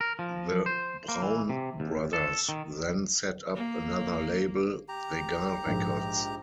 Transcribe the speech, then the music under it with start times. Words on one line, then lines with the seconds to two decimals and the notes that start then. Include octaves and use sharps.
The Braun brothers then set up another label, Regal Records.
0.01 A#4
0.19 F3
0.66 C5
1.08 A#3
1.22 E3
1.49 C3
1.80 D#2
2.13 A4
2.49 D#3
3.55 A#3
4.88 G4 A#5
5.66 A#1 G#2